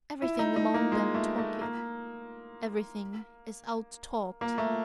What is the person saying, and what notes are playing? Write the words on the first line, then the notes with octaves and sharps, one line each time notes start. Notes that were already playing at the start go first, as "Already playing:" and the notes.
Everything among them talketh, everything is out-talked.
E4
D#4
D#4
A#3
G#3
A3
A3
A#3
A#3
A3